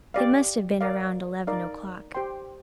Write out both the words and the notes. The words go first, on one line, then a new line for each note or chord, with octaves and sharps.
It must have been around eleven o'clock.
G4 D5 F5
A#4 D5 F5
D#4 A#4 D5 F5
G4 C5 G5 C6